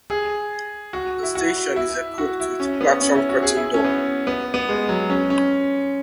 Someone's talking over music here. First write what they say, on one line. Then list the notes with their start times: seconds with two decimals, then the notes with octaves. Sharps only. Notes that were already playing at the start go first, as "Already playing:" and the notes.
The station is equipped with platform curtain door.
0.10 G#4
0.93 F#4
1.23 E4
1.35 F#4
1.76 E4
2.18 F#4
2.40 E4
2.60 C#4
2.81 B3
3.01 C#4
3.15 E4
3.29 F#4
3.43 G#4
3.56 E4
3.74 C#4
3.84 B3
4.27 B3
4.54 B3
4.69 G#3
4.89 F#3
5.10 C#4
5.30 C#4